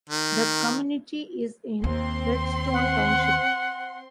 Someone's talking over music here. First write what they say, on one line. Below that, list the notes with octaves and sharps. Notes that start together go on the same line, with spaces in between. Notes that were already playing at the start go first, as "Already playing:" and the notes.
The community is in Redstone Township.
D#3
D#2 C4 C6
F#5